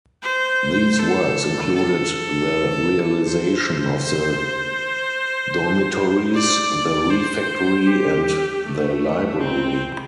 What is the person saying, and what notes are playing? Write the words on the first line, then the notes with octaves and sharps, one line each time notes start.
These works included the realization of the dormitories, the refectory and the library.
C5
A4
A4
C5
C5
D5
C5
G4
A3
C4